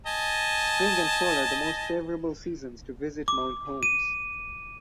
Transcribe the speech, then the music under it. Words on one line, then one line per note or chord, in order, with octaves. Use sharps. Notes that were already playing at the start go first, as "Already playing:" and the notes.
Spring and fall are the most favorable seasons to visit Mount Holmes.
D#5 G#5 A5
D6
D#7